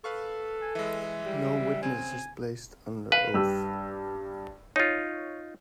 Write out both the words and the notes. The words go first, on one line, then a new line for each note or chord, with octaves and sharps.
No witness is placed under oath.
A4 B4 F5 C#6
G#5
E3 G#3 E5
G3
C#3 C4 G#5
B4 F5
G2 G4 E6
D#4 F4 C#5